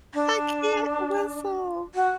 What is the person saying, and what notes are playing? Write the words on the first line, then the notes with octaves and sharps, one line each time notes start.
I can't whistle.
D4
F#4